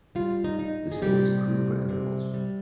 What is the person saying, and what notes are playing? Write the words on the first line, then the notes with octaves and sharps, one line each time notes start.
The same is true for animals.
G3 F4
D#4
D#4
G#4
C3 G3 G4
C3
C3
G3